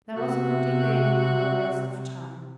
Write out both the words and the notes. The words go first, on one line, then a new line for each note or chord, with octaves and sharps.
There was no delay, no waste of time.
C3 F#4 E5